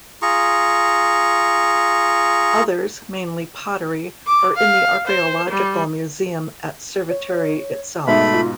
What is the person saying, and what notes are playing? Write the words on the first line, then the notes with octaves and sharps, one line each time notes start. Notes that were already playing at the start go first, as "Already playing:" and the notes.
Others, mainly pottery, are in the Archaeological Museum at Cerveteri itself.
F4 G#4 A#5 C#6
D6
F5
C5
G3
C#5
G#2 B2 A3 E5 B5
F4